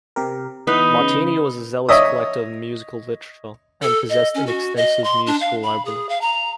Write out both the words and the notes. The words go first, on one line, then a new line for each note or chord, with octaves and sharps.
Martini was a zealous collector of musical literature, and possessed an extensive musical library.
C3 G4 A#4
E3 B3 D#4 B4
C#3
C#5 D#5 E5 D#6
A4
D#5
C#4
F#4
D#5
C6
D4
F5
B5
G#4
F5
A#5